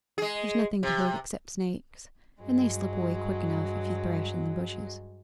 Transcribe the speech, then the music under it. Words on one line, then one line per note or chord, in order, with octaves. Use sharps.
There's nothing to hurt except snakes--and they slip away quick enough if you thrash in the bushes.'
G#3 G#4
C3
G2 F#3 G#3